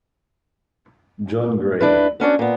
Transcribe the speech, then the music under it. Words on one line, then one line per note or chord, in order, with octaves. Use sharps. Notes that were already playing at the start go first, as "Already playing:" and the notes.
John Gray.
D4 E4 B4
B3 C#4 D4 F#4
A#2 B3